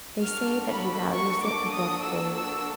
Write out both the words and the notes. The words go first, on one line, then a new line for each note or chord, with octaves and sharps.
They say that he values it above gold.
A#3 D4 F#4 A4 F6
B5
C#6
D6
D#6
E6
E6